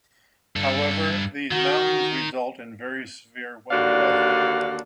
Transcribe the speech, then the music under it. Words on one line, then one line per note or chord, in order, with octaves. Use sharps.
However, these mountains result in very severe winter weather.
G2 A4
D#3 F#4
D#2 D3 D4 F#4 F5